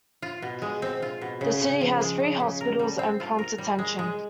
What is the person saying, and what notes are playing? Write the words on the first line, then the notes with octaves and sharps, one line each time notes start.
The city has three hospitals and prompt attention.
F4
B2
G#3
C4
F4
B2
C#3
C#3
F3
G#3
C#3
C#3
A#4
G3
C4
F4
A#4
G3
G#3
G#3